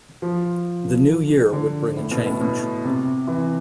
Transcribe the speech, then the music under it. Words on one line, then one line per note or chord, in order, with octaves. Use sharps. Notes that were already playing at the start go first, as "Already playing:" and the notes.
The new year would bring a change.
F3
D3
A2
B2
A2
B2
C3
E3